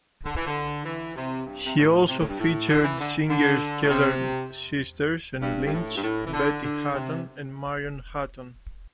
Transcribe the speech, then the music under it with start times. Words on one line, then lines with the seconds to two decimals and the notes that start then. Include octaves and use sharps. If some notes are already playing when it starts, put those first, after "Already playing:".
He also featured singers Keller Sisters and Lynch, Betty Hutton, and Marion Hutton.
0.25 D3
0.36 E3
0.47 D3
0.85 E3
1.16 C3
1.46 G2
1.67 C3
1.76 A2
2.07 C3
2.18 A2
2.28 G2
2.39 A2
2.68 D3
2.83 E3
2.99 D3
3.29 D3
3.82 A2
3.90 C3
5.41 G2
5.66 G2
5.73 A2
5.97 G2
6.03 A2
6.26 E3
6.33 D3
6.63 D3
6.93 C3